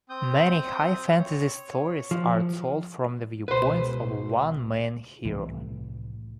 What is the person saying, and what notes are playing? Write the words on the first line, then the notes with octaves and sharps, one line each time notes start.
Many high fantasy stories are told from the viewpoint of one main hero.
C4 D#6 G6
C#5
F3
C#2 B2 B4 C5
C2 A2 E3